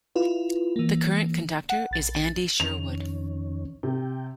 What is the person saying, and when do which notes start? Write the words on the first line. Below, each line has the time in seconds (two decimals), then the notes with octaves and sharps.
The current conductor is Andy Sherwood.
0.15 E4 F4 B4
0.76 E3 A#3
1.70 F#5
1.91 A#1 A6
2.60 F2 D#3 C#4 F7
3.83 C3 G5